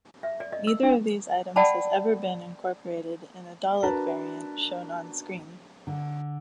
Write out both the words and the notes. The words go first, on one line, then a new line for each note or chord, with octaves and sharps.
Neither of these items has ever been incorporated in a Dalek variant shown on-screen.
E5
D5
D#5
E6
D4
D5 F#5 G5 A5 B5
D4 F#4 A#4 B4 A5 A#5
D3